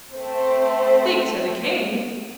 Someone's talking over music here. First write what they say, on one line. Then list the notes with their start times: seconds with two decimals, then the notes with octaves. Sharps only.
'Speak to the King!...
0.13 A3 C4 C5